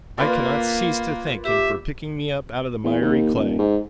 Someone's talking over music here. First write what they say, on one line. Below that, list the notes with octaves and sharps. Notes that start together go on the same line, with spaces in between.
I cannot cease to thank Him for picking me up out of the miry clay.
A#3 F4 B4 D5
G4 E5 D6
E2
D#2
D#1
G#2